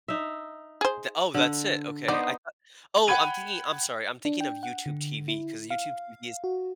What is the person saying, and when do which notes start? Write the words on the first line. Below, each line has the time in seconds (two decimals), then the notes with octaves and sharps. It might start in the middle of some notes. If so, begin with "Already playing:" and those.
The oh, that's it, okay. I thought Oh, I'm thinking I'm sorry, I'm thinking of YouTube TV, 'cause YouTube TV is it
0.08 D#4 E5
0.81 G#4 C5
1.34 D3
2.08 B3 D#4 C5 D5
3.07 F#5 G5 B5 G#6 D#7 F7
4.25 D4
4.40 G5
4.63 F#5
4.86 D3
5.28 E4
5.70 F5
6.44 F#4